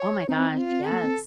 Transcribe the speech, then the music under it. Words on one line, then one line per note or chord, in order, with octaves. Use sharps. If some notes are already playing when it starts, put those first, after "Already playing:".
Oh my gosh, yes.
Already playing: C#5
C4 D#4
F4
A#3 A4
C4